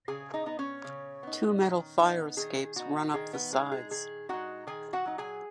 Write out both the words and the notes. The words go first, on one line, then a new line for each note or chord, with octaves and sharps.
Two metal fire escapes run up the sides.
C#3 G#4 G#5
D#4 D#5
B3 D#4
C#4 C#5
C#3
B3 D#4
D#3
B3 D#4
D#3 G#4
B3 D#4 F#4
D#3 G#4
B3 B4
G#3 D#4 G#4
G#4
D#3 G#4
G#3 D#4 F#4 F#5
D#3 G#4 G#5
F#4 F#5
F#3 D#4
G#4 G#5